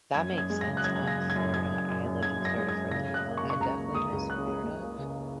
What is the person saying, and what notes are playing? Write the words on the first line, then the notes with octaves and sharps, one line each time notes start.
That makes sense. Ah, Florida, I lived in Florida for a little while. I definitely miss Florida.
F#2 G#6
F#2
G#6
G#3
A#6
C#3
F#6
F#2 G#6
C#3
A#6
F#2
G#6
F#2
F#2 G#6
F#2
F#2
F#2
F#2 G#6
F#2
A#6
G#3
G#6
F#2
C#3 A#6
C#3
F#6
A#3
C#6
C#3
C#6
C#2 A#5
A#3
C#2 D#6
C#2
A#3 F#6
C#2
C#2
A#3
C#3
A#3